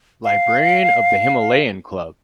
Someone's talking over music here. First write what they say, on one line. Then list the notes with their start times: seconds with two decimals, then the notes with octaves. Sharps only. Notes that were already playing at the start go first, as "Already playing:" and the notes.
Librarian of the Himalayan Club.
0.24 F5